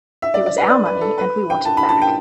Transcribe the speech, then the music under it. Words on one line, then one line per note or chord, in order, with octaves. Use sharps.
It was our money and we want it back.
E5
D5
D5
B4
D5
B4
A4
B4
G5
A5
B5
A5
G5